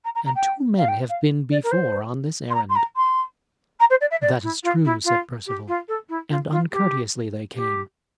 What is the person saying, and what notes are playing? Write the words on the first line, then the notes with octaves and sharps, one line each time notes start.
And two men have been before on this errand." "That is true," said Perceval; "and uncourteously they came.
A#5
A#5
A#5
G5
F5
G5
F5
D5
A#4
C5
C6
A#5
C6
A#5
C6
A#5
C5
D5
E5
D5
E4
F4
E4
F4
G4
F4
A4
E4
F4
F4
G4
G4